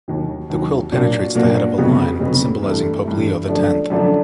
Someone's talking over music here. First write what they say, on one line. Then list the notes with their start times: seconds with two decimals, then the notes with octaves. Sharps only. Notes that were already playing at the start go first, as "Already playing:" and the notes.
The quill penetrates the head of a lion symbolizing Pope Leo the Tenth.
0.08 D#2 D#3 F#3
0.50 D#2 D#3 F#3
0.92 A#2 F#3 A#3 D4 F#4
1.35 A#2 F#3 A#3 D4 F#4
1.78 F2 C#3 F#3 B3
2.20 F2 C#3 F#3 B3
2.63 G2 E3 A3
3.05 G2 E3 A3
3.48 F#2 D3 F3 A3 D4
3.90 F#2 D3 F3 A3 D4